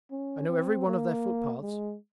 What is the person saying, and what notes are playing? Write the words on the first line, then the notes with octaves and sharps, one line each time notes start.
I know every one of their footpaths ...
C#4
C4
A#3
G#3